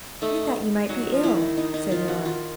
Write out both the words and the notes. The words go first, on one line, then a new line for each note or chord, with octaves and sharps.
"We thought you might be ill," said Nora.
A3 D#4
F#3 D#4
F3
E4
D#3
D#4
D#4
F4
F#4
F4